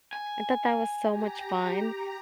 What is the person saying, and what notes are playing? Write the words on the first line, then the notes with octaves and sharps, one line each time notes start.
I thought that was so much fun,
G#5
G4 A#5